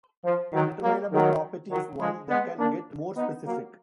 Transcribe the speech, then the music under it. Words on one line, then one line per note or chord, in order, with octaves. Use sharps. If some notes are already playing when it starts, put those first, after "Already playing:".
A determinable property is one that can get more specific.
F3
D#3 F#3
F#3 A#3
D#3 F#3
D#3 F#3
F3 G#3
G#3 B3
A#3 D4
B3 D#4
F#3 A#3